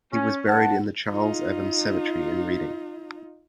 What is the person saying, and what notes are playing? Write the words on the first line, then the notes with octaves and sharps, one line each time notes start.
He was buried in the Charles Evans Cemetery in Reading.
C#4
G2 F#5 A5
D#4 F4